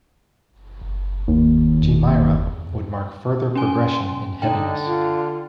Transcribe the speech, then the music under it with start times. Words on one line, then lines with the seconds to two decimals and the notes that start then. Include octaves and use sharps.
"Chimaira" would mark further progression in heaviness.
1.28 D#2
1.81 E2
3.55 C#4 G#5 C6
4.42 D3 D#4 G5
4.86 F4